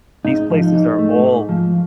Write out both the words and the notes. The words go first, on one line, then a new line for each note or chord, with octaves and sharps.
these places are all
G#2 D#4
F3
D#4
G#2
A3
G#2
F3